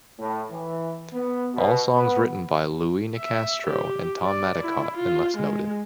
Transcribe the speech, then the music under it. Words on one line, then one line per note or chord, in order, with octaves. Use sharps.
All songs written by Louie Nicastro and Tom Maddicott unless noted.
A2
E3
B3
B2
B3
E5
G4
D5
E4
F4
G#3